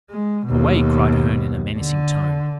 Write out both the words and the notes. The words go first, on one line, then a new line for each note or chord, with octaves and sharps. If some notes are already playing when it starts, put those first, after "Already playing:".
"Away!" cried Herne in a menacing tone.
G#3
D#2 B2
D3